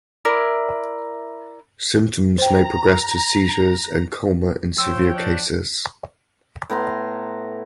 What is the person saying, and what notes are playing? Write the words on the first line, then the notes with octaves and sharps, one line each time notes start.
Symptoms may progress to seizures and coma in severe cases.
E4 A#4 D5
C5 G5 A#5
F3 C5 C#5 G5 E6
D4
A2 B3 A#5 C6